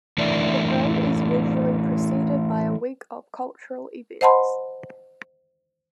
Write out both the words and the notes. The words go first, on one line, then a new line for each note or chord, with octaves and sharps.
The parade is usually preceded by a week of cultural events.
E3 A3 D4 E4 A#4 D5
C5 D#5 F#5 A5 B5 C6